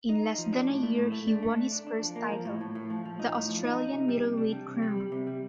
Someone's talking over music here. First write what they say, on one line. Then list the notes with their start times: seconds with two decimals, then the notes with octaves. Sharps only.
In less than a year he won his first title, the Australian Middleweight crown.
0.09 D#4
0.24 D#4
0.38 F3
0.53 D4
0.68 A2
0.83 A3
0.98 A2
1.12 A3
1.27 D4
1.43 A3
1.56 D4
1.72 D4
1.87 D4
2.01 F3
2.16 A#3
2.31 F3
2.45 A2
2.61 A2
2.75 A2
2.90 F3
3.05 F3
3.19 D#4
3.34 A2
3.49 F3
3.64 D#4
3.79 D#4
3.93 C3
4.08 G3
4.23 C3
4.38 D4
4.52 G3
4.68 C3
4.82 G3
4.97 G3
5.12 C3
5.27 G3